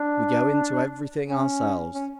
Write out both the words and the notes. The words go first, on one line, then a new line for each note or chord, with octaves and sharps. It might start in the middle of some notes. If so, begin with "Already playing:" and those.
We go into everything ourselves.
Already playing: D4
C#4
C#4